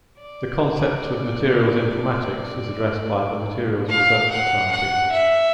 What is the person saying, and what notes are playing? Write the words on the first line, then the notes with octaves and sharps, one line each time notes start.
The concept of materials informatics is addressed by the "Materials Research Society".
D5
F5
F#5
F#5
E5